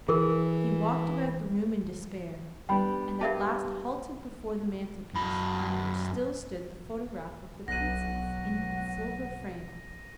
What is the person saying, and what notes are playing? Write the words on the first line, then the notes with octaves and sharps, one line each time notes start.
He walked about the room in despair, and at last halted before the mantelpiece on which still stood the photograph of the Princess in its silver frame.
E3 G#4 A#4
G3 B3 D4 G5 B5
G4 A#4 E5 F5 A5
F#2 B5
B1 F#3 F#5 F#6 A#6 D#7